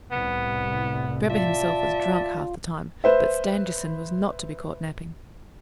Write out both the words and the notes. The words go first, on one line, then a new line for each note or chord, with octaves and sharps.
Drebber himself was drunk half the time, but Stangerson was not to be caught napping.
C2 A2 B3
F4 D5 E5 A5
B4 C5 E5